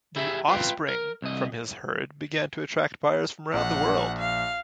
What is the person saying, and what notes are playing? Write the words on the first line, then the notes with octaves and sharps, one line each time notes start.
The offspring from his herd began to attract buyers from around the world.
E4 G4 G#4 E5
F4 B4 F5 G5
A#4
C2 D#5
A#1 F#5
F5